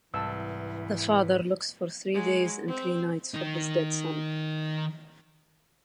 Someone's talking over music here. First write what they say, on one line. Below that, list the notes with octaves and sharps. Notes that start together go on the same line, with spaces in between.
The father looks for three days and three nights for his dead son.
C2 G#2 E3 B4 A5 E6
F#3 G#3
C4
D#3 D#4